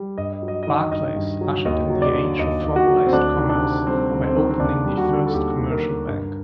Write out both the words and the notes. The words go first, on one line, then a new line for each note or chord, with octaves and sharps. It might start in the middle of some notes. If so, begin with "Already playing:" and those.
Barclays ushered in the age of formalised commerce by opening the first commercial bank.
Already playing: G3
G2 D#5
D#5
F#3
D#5
D#5
D#3
D#5
G2 D#5
G2
F#3
D#2 D#5
F#3
D5
D3
D#2 D#5
D#2
F#4
F#3
C4
D2 D4
D#3
D4
C3
G3 C4
D2
C4
D#3
C4
D#2 D4
G3
F#4
D3
A4
D#2 G4
D#2
A#4
G3
G2